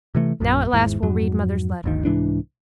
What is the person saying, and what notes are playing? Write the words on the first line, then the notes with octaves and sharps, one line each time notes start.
Now at last we'll read mother's letter.
C3 E3 A3
A#1 F#2 A#2
G#1 E2 G#2 E3
F2 G#2 F#3
G1 D2 D#3
C2 G#2 E3 D4